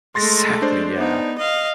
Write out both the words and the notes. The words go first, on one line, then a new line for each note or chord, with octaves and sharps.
Exactly, yeah.
G#3 A3 C6 A6 A#6
D4 C5 D5
B3 D#4
D#5 F5